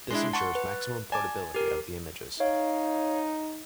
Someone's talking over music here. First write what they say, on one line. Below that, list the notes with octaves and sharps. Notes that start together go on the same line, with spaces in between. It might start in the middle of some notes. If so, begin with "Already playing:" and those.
This ensures maximum portability of the images.
G#3 D4 E4 C6
F#5 A5 C6 C#6
B4
D5 G#5 A5 D6
G4 A#4
D#4 C#5 F5